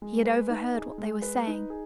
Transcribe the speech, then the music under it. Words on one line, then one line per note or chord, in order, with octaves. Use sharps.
He had overheard what they were saying.
G#3
B4
D#4
G#4
G#3
B4
D#4
G#4